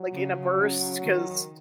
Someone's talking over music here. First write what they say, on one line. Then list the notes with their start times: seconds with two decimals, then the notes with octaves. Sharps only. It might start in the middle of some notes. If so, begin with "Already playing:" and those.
like in a burst, 'cause
Already playing: F#3
0.13 C#3
0.57 C#3
1.02 D#3